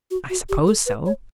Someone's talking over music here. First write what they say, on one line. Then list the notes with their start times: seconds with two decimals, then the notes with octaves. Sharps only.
"I suppose so."
0.11 F#4
0.30 F#4
0.49 G4
0.67 A4
0.86 B4
1.06 C#5